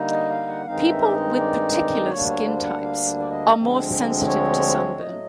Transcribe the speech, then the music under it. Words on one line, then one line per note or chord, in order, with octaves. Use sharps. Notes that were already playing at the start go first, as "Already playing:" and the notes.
People with particular skin types are more sensitive to sunburn.
Already playing: D3 G3 A#3 D#4
D#5
F5
F#5
G2 D#3 G#3 C4 D#4 F5
E5
D5
D#5
D5
D5
D2 D3 G3 A#3 D4 C#5
C#5
C5
F#5
F5
D5
D#5
D2 D3 F3 G#3 C4
C#5
A2 F#3 A3 D#5